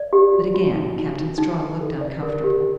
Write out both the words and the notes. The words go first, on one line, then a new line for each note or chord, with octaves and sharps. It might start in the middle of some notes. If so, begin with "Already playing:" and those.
But again Captain Strawn looked uncomfortable.
Already playing: D5
G4
F#4
F#4
D#4
D#4
D#4
D#4
D#4
A4
D5
A#4
G4